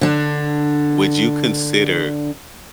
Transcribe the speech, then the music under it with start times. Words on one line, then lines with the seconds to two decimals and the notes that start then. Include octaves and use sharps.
would you consider
0.01 D3 D4